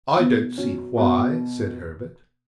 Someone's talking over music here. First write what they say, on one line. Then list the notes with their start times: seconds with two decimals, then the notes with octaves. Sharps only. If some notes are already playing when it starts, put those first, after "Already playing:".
"I don't see why," said Herbert.
0.17 B2 B3
0.58 F#3 C#4
0.97 B2 F#4